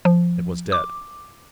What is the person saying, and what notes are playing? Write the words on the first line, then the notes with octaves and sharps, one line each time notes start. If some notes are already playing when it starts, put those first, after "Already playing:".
It was dead.
F3
D6